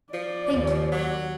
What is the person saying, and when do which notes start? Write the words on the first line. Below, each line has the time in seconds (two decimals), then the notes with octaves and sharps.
"Thank you."
0.13 F3 D5
0.53 D#2
0.92 F#3